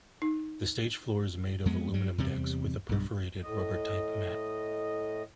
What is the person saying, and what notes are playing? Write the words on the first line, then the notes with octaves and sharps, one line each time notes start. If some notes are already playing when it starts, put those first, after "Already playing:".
The stage floor is made of aluminum decks with a perforated, rubber-type mat.
D#4
F2 G#3 B3
F#3 G3
E2 C3 G3
B1 G2
A2 D#5